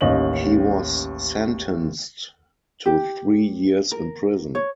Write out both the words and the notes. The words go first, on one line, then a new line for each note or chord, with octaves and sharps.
He was sentenced to three years in prison.
A1 D#2 C#4 D#5 F#7
G4
A#4
C#5